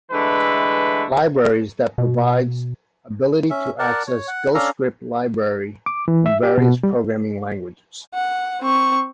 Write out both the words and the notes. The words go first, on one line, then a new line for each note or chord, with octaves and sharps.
Libraries that provides ability to access Ghostscript library from various programming languages.
D3 E3 G#3 A3 B4
B2
C#4 E5
A#4 D5 F#5 A5
C#5
F#5
C#4 D4 A4 F5 A#5
D6
E3
E5
G4
B2
G3
F#5
C4 C#6